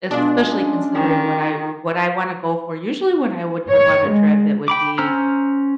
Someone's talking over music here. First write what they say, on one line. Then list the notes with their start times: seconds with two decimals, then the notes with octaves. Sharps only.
especially considering what I what I wanna go for. Usually, when I would go on a trip, it would be,
0.11 B2 G#3 D4 F4
0.50 C#4
0.95 D#3 G4
3.70 C#5
4.09 G#3
4.68 G5 B5 D6
4.98 C#4 C5 A#5 E6 F6